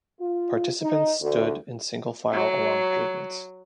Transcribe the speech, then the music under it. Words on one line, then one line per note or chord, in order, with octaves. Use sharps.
Participants stood in single file along pavements.
F4
D#4
D2
F#3